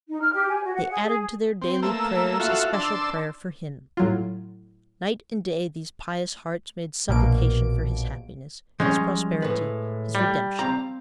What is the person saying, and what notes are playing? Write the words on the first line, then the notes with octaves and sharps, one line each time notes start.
They added to their daily prayers a special prayer for him; night and day these pious hearts made supplication for his happiness, his prosperity, his redemption.
D#4
F6
G4
G#5
F#4
F#5
G#4
G#4
C4
A3 A#3 E6
F4 F#4 A4 E5
D4 A5 C6 E6
A2 F#3 F4
A#1 B2 A#3 D7
F3 G3 G#3 C#4
A2 B4
G3
C4 F5 A#5